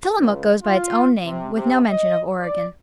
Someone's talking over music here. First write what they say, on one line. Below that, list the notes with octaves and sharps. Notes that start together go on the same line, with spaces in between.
Tillamook goes by its own name with no mention of Oregon.
C#2
F4
C3
C3
D#5
D5